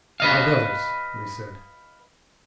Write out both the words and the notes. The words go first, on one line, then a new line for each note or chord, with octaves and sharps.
"Our brothers!" we said.
B4 D#5 F5